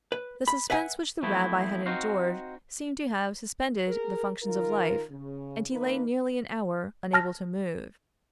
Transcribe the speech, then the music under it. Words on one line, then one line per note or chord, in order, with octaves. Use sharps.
The suspense which the rabbi had endured seemed to have suspended the functions of life, and he lay nearly an hour unable to move.
B4
B5
B4 E5 F#5 G#5
F3 A3 B3 C4 E4
C4 D#4 F#4 C5 F5
G#4 A#4
D#3 F4 A#4
C#3
F2 D#3 A#3 D#4 B4
A5 F6 A#6